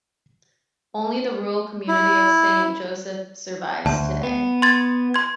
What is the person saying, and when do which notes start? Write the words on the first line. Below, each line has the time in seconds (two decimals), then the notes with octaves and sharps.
Only the rural community of Saint Joseph survives today.
1.88 E4
3.86 D2 A5
4.23 B3
4.62 C6 G#6 A6
5.14 C6 G#6